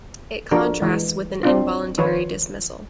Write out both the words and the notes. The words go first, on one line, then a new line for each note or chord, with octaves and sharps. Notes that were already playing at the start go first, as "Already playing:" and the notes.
It contrasts with an involuntary dismissal.
F3 D4 F#4 A4 A#4
E3 G#3
C4 D4 F4
D#3 F3 F4 B4 C#5